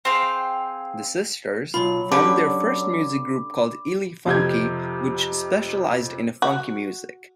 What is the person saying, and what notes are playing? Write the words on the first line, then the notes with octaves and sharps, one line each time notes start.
The sisters formed their first music group called Elefunky, which specialized in funky music.
C4 G#4 F5 G5
B1 F#3 F4 B5
D3 C#4 G4 B4 D6
F2 C3 G6 G#6
F#4